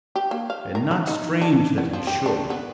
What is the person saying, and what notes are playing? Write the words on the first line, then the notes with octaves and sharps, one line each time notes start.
And not strange that he should.
G4
A#3
F5
A#4
B5
D#4
D4
B3
F3
G4
D4
B3